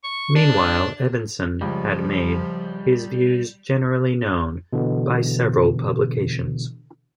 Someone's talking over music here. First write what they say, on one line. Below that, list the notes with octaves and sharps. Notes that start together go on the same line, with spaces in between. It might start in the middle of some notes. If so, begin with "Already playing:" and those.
Meanwhile, Evanson had made his views generally known by several publications.
C#6
D4
C#2 F3 G3
B2 D3 E3